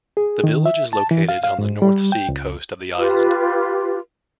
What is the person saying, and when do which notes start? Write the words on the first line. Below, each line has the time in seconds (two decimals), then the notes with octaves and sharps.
The village is located on the North Sea coast of the island.
0.17 G#4
0.44 D#3
0.66 E5
0.93 A5
1.11 E3
1.29 F5
1.44 F5
1.59 G#2
1.82 G3
2.12 G5
2.29 C#2
2.96 F4 G4 B4